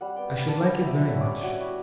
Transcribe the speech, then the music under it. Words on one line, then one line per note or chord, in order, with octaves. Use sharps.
'I should like it very much.
G3 F#5
B3 G5
G3 G5
D4 A5
B3 G5
B3 E5
G3 E5
C#4 E5
D5
G3 C#5
G3 F#4
E4